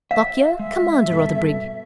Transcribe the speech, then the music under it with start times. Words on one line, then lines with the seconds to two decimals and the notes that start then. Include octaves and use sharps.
Lockyer, commander of the brig.
0.11 E5 F5
0.59 G#3 E5
1.09 G2 B2 A4